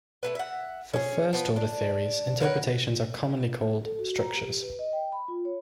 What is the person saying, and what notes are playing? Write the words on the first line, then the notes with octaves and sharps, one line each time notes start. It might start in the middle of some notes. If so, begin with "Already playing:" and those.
For first-order theories, interpretations are commonly called structures.
A3 E4 B4
E5 F#5
C#4 G#4
F3 B3
D4
A#4 B4 C#5 F#5
A4
F#4
A#5
G4
B4
D#5
G5
B5
F4
C#5